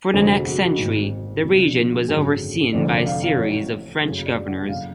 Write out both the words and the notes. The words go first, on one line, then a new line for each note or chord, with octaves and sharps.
For the next century, the region was overseen by a series of French governors.
F1 F2 D3 G#4
F#4
F#4
F#4
G#1 G#2
F1 F2 C#3 F4
D4
F4
F#4
G#1 F#2 D3 G#4
F1 F2 D3 D5
D5
F5
F5
A1 A2 C#5
F#1 F#2 C#3 G#4
D5
F#5
F#1 C#3 F5